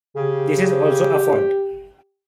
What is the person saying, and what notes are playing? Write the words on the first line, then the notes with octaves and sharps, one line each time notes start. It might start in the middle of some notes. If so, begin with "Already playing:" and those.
This is also a "fault".
C#3 G4